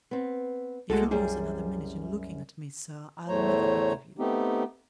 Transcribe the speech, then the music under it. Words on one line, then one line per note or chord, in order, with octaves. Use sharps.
If you lose another minute in looking at me, sir, I'll never forgive you!'
B3 C4
C2 G#3 F#4 A4
F#2 G3 G#4
E2 A2 A3 C5 C#5 A#5
A3 B3 C4 D#4 G4